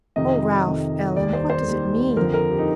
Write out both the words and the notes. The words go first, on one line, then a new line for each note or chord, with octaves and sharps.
"Oh, Ralph--Ellen--what does it mean?"
F2 C3 D#3 D#5
F2 C3 D#3
D#2 D#3 G3 D5
C5
C5
D#2 D#3 G3
F2 D3 F3 A#4
A#4
G4
D#4